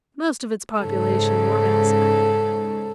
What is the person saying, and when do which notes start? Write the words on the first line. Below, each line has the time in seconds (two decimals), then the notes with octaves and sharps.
Most of its population were massacred.
0.81 G#2 C#3 A4